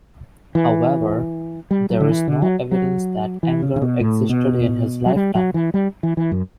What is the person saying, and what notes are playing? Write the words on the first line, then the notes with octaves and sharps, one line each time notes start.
However, there is no evidence that Enger existed in his lifetime.
E3
G3
F#3
D3
E3
D3
F#3
F#3
E3
C#3
C#3
B2
A2
B2
F#3
G3
F#3
E3
G3
E3
E3
F#2